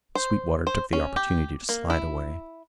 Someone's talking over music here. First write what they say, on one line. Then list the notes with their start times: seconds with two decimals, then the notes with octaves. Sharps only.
Sweetwater took the opportunity to slide away.
0.15 C5
0.67 C5
0.93 C#4
1.16 G4
1.69 A#3
1.90 E4